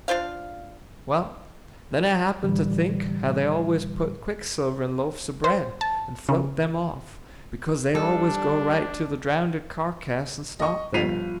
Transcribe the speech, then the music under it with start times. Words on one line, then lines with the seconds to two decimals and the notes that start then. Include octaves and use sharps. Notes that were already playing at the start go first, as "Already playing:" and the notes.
Well, then I happened to think how they always put quicksilver in loaves of bread and float them off, because they always go right to the drownded carcass and stop there.
0.08 D4 F4 C5 F5
2.44 A2 D3 E3 G3
5.44 C5
5.81 A5
6.29 C#3
7.95 G3 D4 A4
10.60 D#5 C#6
10.94 G1 F3 B6 C7 D#7 F7